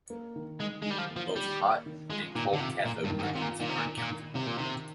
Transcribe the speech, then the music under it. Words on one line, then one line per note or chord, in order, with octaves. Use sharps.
Both hot- and cold-cathode versions are encountered.
A#3
D#3
D#3 G#3
G#3
D#3 G3
F3
A#3
F3
D#3 G3
A#3
D#3
G#3 F4
A#2 D#3
D3
C3 F4
A#2 A#3
G2
D#3
G2
G#2
C3 F4
A#2
A#2 D#3
C3
A#2
D#3
A#2
D#3
C3 D#3
A#2
C3 D#3